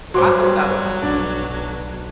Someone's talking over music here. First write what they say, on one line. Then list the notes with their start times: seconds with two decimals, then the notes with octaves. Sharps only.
Ooh, I like that one, actually, I do enjoy that
0.14 G2 F#3 G3 F#4 C5 C6 D6
1.02 B1 D4